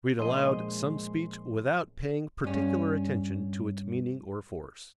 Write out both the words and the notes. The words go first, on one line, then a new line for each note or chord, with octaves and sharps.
Read aloud some speech without paying particular attention to its meaning or force.
A#1 G#3 D#5 C6
G2 C#4